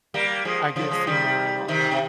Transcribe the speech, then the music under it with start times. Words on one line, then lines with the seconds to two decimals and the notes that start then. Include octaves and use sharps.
I get see more and all that."
0.14 G3 A#3
0.45 F3 G#3
0.76 C#3 F3
0.91 F3 G#3
1.07 D#3 G3
1.68 C3 D#3
1.91 C3